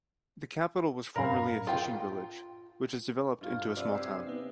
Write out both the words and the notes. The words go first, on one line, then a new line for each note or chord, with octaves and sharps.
The capital was formerly a fishing village which has developed into a small town.
F#2 A2 A#4 F5 A#5 B5
F4 G5
G2 F4
C3 B3 D5
G4 G#4 E6 C7
B3 D#4